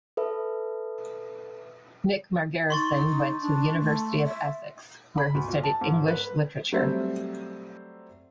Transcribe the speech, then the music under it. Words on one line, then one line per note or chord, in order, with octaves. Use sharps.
Nick Margerrison went to the University of Essex where he studied English Literature.
A4 B4 E5
D#4 C6 C#6 A6
D#4
D4
A3
E5
B5
D2
A#2
A5
G#2
B4
F#3 G3 A3 C4 C5 E5